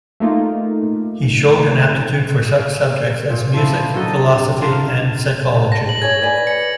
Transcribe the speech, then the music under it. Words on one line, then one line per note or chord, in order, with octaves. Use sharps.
He showed an aptitude for such subjects as music, philosophy and psychology.
A3 A#3 D#4 F4
A#2
F3 E4
D3 F#3 A4 D#5
D3 F4 A#4 C5
A5
A#6
F#7
G#4 C#5 G#6 F#7
B4 D5 G#5
C#7